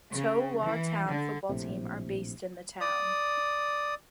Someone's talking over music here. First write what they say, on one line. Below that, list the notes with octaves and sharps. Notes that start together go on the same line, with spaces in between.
Tow Law Town football team are based in the town.
C#3
E3
D3
A#1 A2 C3
D5 D#6